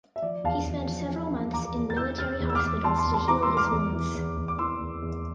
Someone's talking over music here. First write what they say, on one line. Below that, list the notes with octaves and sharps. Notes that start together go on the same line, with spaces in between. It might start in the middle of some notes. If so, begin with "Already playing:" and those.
He spent several months in military hospitals to heal his wounds.
E5
F3 D5
E2 F5 A5
E2
F3
F3
E2
E2 A#5 D6
E2
A6
E3 E6 G6
E2 F6 A6
E2
E6
D6 F6
E2
E2 A5 C6
A5 C6
E2
A5 C6
E3 A#5 D6
C6 E6
E3
D6 F6
E2
E3
E2
E2
D6
E3 C6 E6
E2
E2